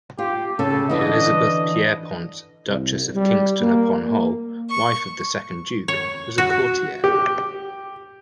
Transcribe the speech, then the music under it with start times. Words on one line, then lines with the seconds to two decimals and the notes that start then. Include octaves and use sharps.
Elizabeth Pierrepont, Duchess of Kingston-upon-Hull, wife of the second Duke, was a courtier.
0.18 F4 G4
0.59 C#3 A4
0.90 D3 E3 D#5
2.67 C2
3.15 G3
3.61 A#3
4.05 A#3
4.70 C#6
5.88 C#5
6.38 F#4
7.04 G4